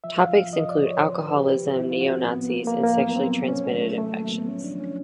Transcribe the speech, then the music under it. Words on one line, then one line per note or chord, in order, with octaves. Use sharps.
Topics include alcoholism, Neo Nazis and sexually transmitted infections.
F3 E5
F5
F3
F3 D#5
D5
F3
C#5
C3 C5
B4
D#3
G4
F3
F3 E4
F4
F3 F#4
C4
F3
B3
F3 A#3
A#3
F3
A#3
F#3 B3
C4
F#3
C3 C#4
A3
D#3
A3
F#3 A3
A#3
F#3
B3
F3 C#4
D4
F3
C#4